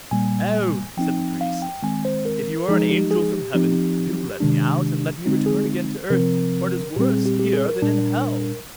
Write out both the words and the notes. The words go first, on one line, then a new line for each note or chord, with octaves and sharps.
'Oh!' said the Priest, 'if you are an angel from heaven, do let me out, and let me return again to earth, for it is worse here than in hell.
A#2 G3 A#3 G#5
F3 C4 D#4 G5
F5
G5
D#3 G#3 C4 G#5
C5
A#4
F3 G#3 D#4 G#4
G4
G#4
G4
F3 C4 D#4 G4
C3 D#3 G#3 D4
D3 G#3 C4 D#4
G#4
C3 F3 C4 A#4
A#2 G3 C4 G4
G#4
G4
G4
G#4
A#4
A#2 G3 D4